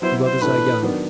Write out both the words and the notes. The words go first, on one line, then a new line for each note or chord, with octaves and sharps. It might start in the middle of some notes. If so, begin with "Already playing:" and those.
You others are young.
F#3 B3 E4 C5
C5
A2 E3 A3 D4 B4
D#3 F#3 B3 D4